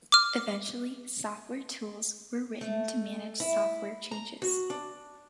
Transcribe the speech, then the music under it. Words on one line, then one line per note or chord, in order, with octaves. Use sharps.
Eventually, software tools were written to manage software changes.
D6 F6
A3
E4
A#5
F#4
D4